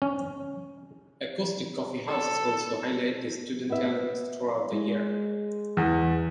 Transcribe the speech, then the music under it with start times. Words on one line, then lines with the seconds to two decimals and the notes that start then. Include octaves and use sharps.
Acoustic coffeehouses also highlight student talent throughout the year.
0.02 C#4
2.08 A4
3.70 B3 E5
4.72 G#3
5.77 E2